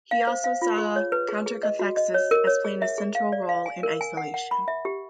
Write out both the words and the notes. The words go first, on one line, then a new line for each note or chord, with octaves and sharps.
He also saw countercathexis as playing a central role in isolation.
F5
C5
F5
F4
G#4
C#5
B4
G#4
G#4
D#5
F#4
D#5
C#5
A#4
C#5
G#4
E5
G#4
F5
D5
F5
G#5
A#4
G#5
F#5
F#5
B5
E5
G4